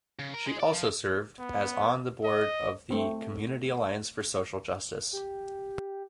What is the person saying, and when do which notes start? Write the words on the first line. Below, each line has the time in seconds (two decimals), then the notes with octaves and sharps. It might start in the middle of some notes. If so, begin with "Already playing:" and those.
She also served as on the board of the "Community Alliance for Social Justice".
0.19 C#3
0.34 A#4
0.46 G#3
0.60 D5
0.72 F3
1.39 B3
2.24 D#5
2.90 A3 C4
5.13 G4